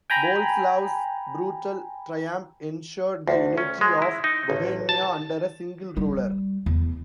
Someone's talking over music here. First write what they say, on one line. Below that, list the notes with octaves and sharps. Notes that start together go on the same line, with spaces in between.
Boleslaus's brutal triumph ensured the unity of Bohemia under a single ruler.
G5 G#5 A#5 B5
D2
C#4
G#3
E4
D#4
A1
A5
G3
E2